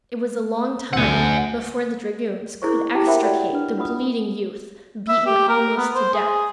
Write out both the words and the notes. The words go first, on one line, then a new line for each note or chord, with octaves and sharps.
It was a long time before the dragoons could extricate the bleeding youth, beaten almost to death.
D2 F#5 G#5
E4 G#4 A#4 C5 C#6
E4 G4 G5 A5 D6
A#4 C5 E5 F#5 G5 B5
F#4 C#5 D5 F#5 G5
D4 B4
F4 B4 F#5 B5 D#6
E5
G4
A#4
B3
C5
G#4